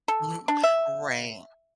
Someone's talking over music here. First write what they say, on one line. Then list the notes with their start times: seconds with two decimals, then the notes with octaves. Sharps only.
Mhm, right.
0.08 A4
0.48 D4
0.63 E5